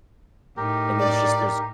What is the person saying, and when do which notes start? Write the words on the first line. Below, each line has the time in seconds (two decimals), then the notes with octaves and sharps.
And there's just there's
0.57 A2 D#4 G4 A#4
0.99 D5